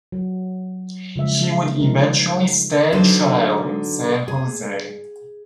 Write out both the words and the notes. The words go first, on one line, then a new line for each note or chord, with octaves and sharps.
He would eventually stand trial in San Jose.
F#3
C#3 F3 G#3 E5
F3 G3 G#3 A#3 D#4 A#4
D3 F#3 D#4 A4 B4 C5
G#4